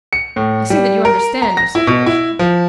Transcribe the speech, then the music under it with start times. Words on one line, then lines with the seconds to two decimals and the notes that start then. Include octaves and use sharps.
I see that you understand your situation.
0.13 C#7
0.36 A2
0.70 G3
1.05 A#4
1.42 A#5
1.57 A#6
1.75 E4
1.87 B2
2.06 E4
2.39 F3